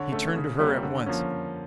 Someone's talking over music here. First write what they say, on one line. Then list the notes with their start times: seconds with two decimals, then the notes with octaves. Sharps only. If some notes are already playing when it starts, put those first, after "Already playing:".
He turned to her at once.
Already playing: D3 C#5
0.12 A3 C#4
0.36 C#3
0.59 G3 A#3 C#4
0.83 D3
1.06 F3 A#3 C#4